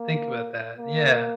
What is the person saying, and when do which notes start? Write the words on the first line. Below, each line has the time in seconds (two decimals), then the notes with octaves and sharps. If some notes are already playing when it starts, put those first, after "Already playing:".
think about that, yeah.
Already playing: A#3
0.79 A#3